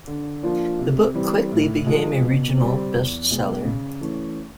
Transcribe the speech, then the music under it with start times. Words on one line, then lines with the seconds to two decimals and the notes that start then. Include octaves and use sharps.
The book quickly became a regional bestseller.
0.07 D3
0.43 F3 A#3 D4 F4
0.79 C3
1.14 E3 G3 C4
1.51 A2
1.86 F3 G#3
2.22 B2
2.58 G3 C4
2.94 E2
3.30 B2 G#3
3.65 C#3
4.01 E3 A3 C#4